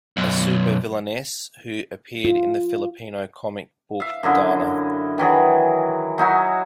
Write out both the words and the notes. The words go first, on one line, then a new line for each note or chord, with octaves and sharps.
A Supervillainess who appeared in the Filipino comic book Darna.
B1 F#2
F4
E5 F5
F#2 D3 E4 D#5
D#3 E3 F#3 G#4
F#3 D#4 E4 F#4